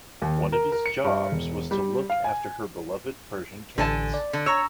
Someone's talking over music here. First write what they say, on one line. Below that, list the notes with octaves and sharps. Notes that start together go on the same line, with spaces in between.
One of his jobs was to look after her beloved Persian cats.
D#2
A#4
A#4
C#7
G2
E1
G3
F5
G#5
A1 D3 G#5 A5
D5
D3
C#5 A#5 C#6 E6